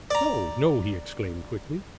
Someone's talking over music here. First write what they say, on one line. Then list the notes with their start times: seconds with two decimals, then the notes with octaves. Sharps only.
"No, no," he exclaimed quickly.
0.11 D5 A#5